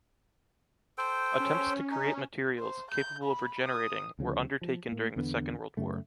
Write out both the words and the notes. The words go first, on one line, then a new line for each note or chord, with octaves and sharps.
Attempts to create materials,capable of regenerating, were undertaken during the Second World War.
A4 C5 G5
C#4
D#4
C5
G6
B5
D#6
D2 C#3 F3
F3
A2 A#3
E2 D3 B3
F#2 C#3 A3